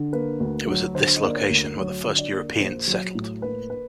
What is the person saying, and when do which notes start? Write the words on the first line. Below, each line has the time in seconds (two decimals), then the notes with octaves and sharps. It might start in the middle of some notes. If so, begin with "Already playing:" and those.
It was at this location where the first Europeans settled.
Already playing: D3
0.13 A#3 B4
0.40 D2
0.67 F#3
0.95 D3 C5
1.16 D#5
1.23 A#3 D5
1.36 C#5
1.50 D2
1.77 F#3 C#5
2.05 D3
2.18 D5
2.32 A#3
2.60 A#1 C5
2.87 F#3
3.15 A2
3.42 A#3 B4
3.70 B4